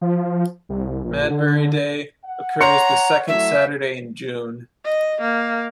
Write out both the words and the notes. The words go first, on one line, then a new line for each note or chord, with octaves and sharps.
Madbury Day occurs the second Saturday in June.
F3
C2
A#1
D3
F#5
C#5 A#5 C6 C#7
F#3 A3 E4 E5
D#5
A#3